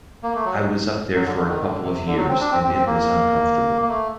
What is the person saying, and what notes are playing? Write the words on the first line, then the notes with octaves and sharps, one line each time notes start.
I was up there for a couple of years, and it was uncomfortable.
A#3
A3
F#3
F#3
D3
D3
D#3
D3
C3
D3
F#3
C4
D4
C4
C4
C4
A#3
A#3
A3